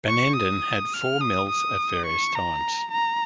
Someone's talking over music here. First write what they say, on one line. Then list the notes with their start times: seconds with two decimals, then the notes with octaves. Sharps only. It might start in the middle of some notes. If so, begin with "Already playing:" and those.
Benenden had four mills at various times.
0.08 C#6
0.36 D#6
0.94 F6
1.21 D#6
1.49 D#6
2.06 C#6
2.35 A#5
2.92 A#5